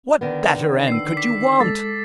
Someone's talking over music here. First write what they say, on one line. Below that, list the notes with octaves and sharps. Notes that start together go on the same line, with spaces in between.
What better end could you want?
D3 D#3 B3
E6 C7
D6 B6 C7
G#3 A4 A6